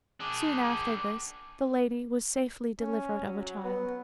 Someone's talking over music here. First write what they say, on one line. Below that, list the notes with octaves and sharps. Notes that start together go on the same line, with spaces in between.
Soon after this, the lady was safely delivered of a child.
D4 G#4
C#4
F#3
B3